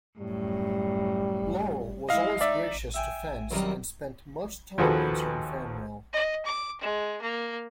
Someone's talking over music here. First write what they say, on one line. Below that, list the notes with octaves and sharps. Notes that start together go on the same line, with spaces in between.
Laurel was always gracious to fans and spent much time answering fan mail.
F#2 A2 G3
G#3 E4 D#5 F5
D#4 D5 E5
E5 G5 G#5
F#2 C3 D#3 G3 D#4
D#2 F3 F#4 G#4 A4 B4
D#5
D6
G#3
A#3